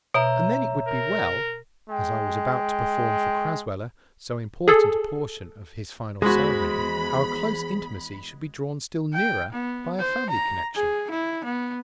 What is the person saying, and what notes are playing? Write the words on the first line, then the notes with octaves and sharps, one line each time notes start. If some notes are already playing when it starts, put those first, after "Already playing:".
And then it would be well, as I was about to perform for Crasweller so important a portion of his final ceremony, our close intimacy should be drawn still nearer by a family connection.
B2 C#5 E5 A#5
A#4
G#3 G5
G#4 A4
E2 G#3 F#4 G#4 C5 B5
G5
B3
C5
A#5
G#4
E4
B3